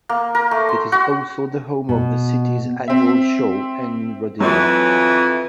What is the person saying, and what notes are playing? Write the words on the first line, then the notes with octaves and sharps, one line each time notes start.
It is also the home of the city's annual show and rodeo.
A#3
A#4
A3
C6
F#4
B2
C4 E5
F2 E3 F#3